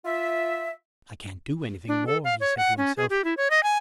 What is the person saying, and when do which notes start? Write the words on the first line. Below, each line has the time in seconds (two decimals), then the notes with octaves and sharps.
"I can't do anything more," he said to himself.
0.05 F4 E5
1.88 D4
2.07 A4
2.24 F5
2.40 C#5
2.57 F#5
2.78 C#4
2.97 G#4
3.10 G4
3.24 E4
3.37 C#5
3.50 D#5
3.63 G#5